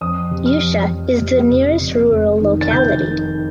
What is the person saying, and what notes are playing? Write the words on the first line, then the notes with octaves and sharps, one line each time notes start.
Yusha is the nearest rural locality.
F2 D#6
C3
F6
F2
F2
C3
F1
F1
F1
D#3
A6
F1 G6
D#3